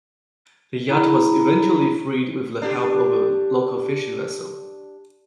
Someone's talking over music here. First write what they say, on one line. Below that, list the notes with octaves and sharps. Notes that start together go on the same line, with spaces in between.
The yacht was eventually freed with the help of a local fishing vessel.
E4 G#4 A#5 B5
D4 G4